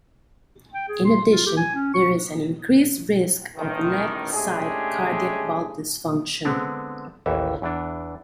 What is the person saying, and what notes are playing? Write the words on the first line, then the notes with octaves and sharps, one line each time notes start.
In addition, there is an increased risk of left-sided cardiac valve dysfunction.
G5
G#4
C6
F4
G4
G#5
C#4
C#6
A1 D#3
G#3 A3 C#4 D4 G4 G#4
D3 G#3 B3 C4 D4
A1 D#2 E3 E5
E2 E3 D4